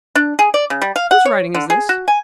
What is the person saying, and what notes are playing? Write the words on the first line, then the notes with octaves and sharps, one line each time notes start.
'Whose writing is this?'
D4
G#4
D5
C#3
G3
F5
F#5
C#5
D3
G#4
F#4
G#5